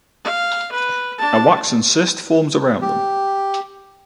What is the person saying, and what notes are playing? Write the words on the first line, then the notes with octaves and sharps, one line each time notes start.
A waxen cyst forms around them.
F5
B4
D4 A5
G4